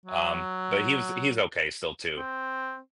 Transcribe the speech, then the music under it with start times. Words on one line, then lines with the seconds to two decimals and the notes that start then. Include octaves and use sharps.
um, but he was he was okay still too.
0.06 F#3
2.17 C4